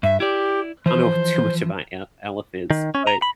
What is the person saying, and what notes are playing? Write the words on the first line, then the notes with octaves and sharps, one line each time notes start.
I don't know too much about el elephants, but
G2 E5
E4 G4 D5
E3 F3 C5
D#3
C#4
A#5
B5